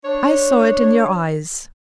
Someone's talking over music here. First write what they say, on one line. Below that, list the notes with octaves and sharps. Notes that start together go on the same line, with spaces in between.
I saw it in your eyes.
D4 C#5